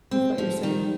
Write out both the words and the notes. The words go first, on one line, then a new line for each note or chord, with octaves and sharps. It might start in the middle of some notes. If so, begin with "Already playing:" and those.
with what you're saying.
C4
F3
D#3